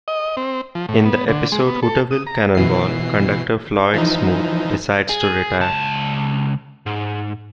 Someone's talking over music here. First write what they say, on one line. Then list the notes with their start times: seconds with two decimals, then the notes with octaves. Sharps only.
In the episode, "Hooterville Cannonball" conductor Floyd Smoot decides to retire.
0.08 D#5
0.37 C4
0.75 F3
0.89 A2
1.06 B3
1.28 D3
1.52 G#3
1.67 B3
1.83 A4
2.11 D#6
2.27 A#5
2.55 B2 E3 C7
3.94 E3 F3 D#4
5.09 G#4
5.60 C#2 A5
6.86 G#2